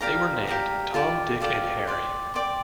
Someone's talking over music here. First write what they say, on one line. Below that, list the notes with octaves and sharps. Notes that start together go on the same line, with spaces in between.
They were named Tom, Dick and Harry.
G4 D5 F5 A#5
G4 D5 F5 A#5
F4 A4 D5 G5
F4 A4 D5 G5
D5 G5 C6
D5 G5 C6